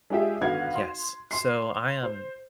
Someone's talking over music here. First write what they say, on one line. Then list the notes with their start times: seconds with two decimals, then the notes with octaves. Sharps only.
Yes. So I am
0.10 G#3 D4 F4 G4 G#4 E5
0.41 G#1 D3 B3 F#4 F5 G#6
0.75 C6
1.31 C6 C7
2.03 C5